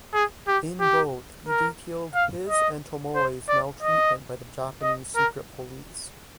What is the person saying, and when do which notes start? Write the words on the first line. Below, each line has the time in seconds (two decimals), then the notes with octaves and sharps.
In both, he detailed his and Tomoe's maltreatment by the Japanese secret police.
0.14 G#4
0.47 G4
0.80 G4
1.48 A#4
2.15 F5
2.48 D#5
3.15 C5
3.49 D5
3.82 D#5
4.83 D#5
5.16 A#4